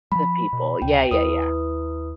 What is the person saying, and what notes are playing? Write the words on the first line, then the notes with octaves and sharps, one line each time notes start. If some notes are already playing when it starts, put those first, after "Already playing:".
The people. Yeah, yeah, yeah
F3 G3 B5
B2
C#2 C3 G5
D#2 E4 B4 D#6